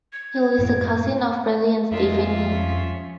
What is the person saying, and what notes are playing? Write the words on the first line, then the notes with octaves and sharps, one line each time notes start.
Hill is the cousin of Bradley and Stephen Hill.
G#6
F#2 A2 A#3
F2 G#3 A#3 F4 E5
F3 C#4